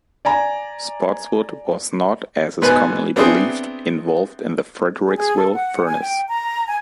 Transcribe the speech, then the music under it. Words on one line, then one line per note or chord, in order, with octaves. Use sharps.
Spotswood was not, as is commonly believed, involved in the Fredericksville Furnace.
D5 G#5 A#5
G#2 B2 B4 G#5
B3 C4 D4 E4 G#4 C5
G#4
G#4
A4
F#5
G#5
G5
A#5
G#5